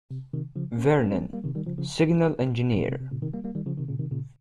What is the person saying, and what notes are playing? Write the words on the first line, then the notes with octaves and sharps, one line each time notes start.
Vernon, Signal Engineer.
C3
C3 D#3
C#3 F3
A#3 C#4
A#3 C#4
G#3 C4
G3 A#3
C3 D#3
D#3 G3
C#3 F3
C#3 F3
A#2
C3
C3
A#2 C#3
C3 D#3
G3 A#3
G3 A#3
D#3 G3
C#3 F3
C3 D#3
A#2 C#3
C3 D#3
A#2 C#3